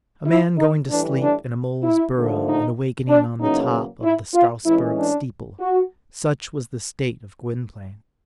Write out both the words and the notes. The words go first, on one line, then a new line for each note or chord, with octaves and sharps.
A man going to sleep in a mole's burrow, and awaking on the top of the Strasbourg steeple; such was the state of Gwynplaine.
E4
D#4
A2 E3 G3 D4
D4
E4
D#2 D3 F3 A3
D#4
D4
E2 C#3 F#3 A#3 C#4 D#4
E4
F4
A2 E3 G#3 C#4 E4
D4
F#4